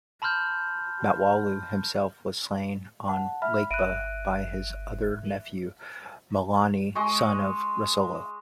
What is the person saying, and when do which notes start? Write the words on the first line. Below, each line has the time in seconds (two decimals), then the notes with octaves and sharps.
Matawalu himself was slain on Lakeba by his other nephew Malani, son of Rasolo.
0.22 A5 B5 C6 F6 G6
3.05 F#5 A5
3.42 E5 B5 F6
3.71 G1 E5 F#6 D7 D#7
6.95 G#3 D#5 C#6